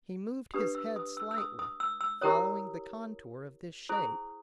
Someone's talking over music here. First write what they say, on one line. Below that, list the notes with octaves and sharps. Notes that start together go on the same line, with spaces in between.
He moved his head slightly, following the contour of this shape.
D4 G4 B4 D#6
E6
D#6
E6
E6
D#6
D#6
E6
E6
E4 G4 A#4 C#5 D#6
E4 G#4 C5 D#6